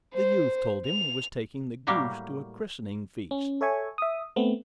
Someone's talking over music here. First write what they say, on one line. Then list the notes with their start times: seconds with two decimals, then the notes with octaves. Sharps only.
The youth told him he was taking the goose to a christening feast.
0.14 C5
0.86 F7
1.87 A2 F#3 G3 A#3 G4
3.31 C#4
3.61 A4 C#5 E5 G#5 C#6
3.98 E5 D#6
4.36 A3 B3 C4